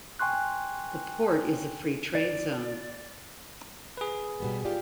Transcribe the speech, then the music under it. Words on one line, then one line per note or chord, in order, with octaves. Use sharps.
The port is a free trade zone.
G5 G#5 C6 C#6 F#6
D5
G#4 B4
B2 G3 B3
F4 G4 D5